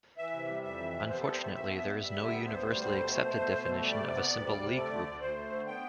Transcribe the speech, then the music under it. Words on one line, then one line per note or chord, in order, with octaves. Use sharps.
Unfortunately, there is no universally accepted definition of a simple Lie group.
E3 E5
C3
G3
F2 E5
E3
C3
B3 C5
G3 A4
C5
B2 E5
B2 E5
B3
G3
G3 E5
D3
B3
D2 C5
G3
D3
B2
A3
A3
B2
B2
A3
G3 D5
C3
B3
D2
G3
C3
A3 D5
D3
D2
D2 C5
A3
D3
B3 G5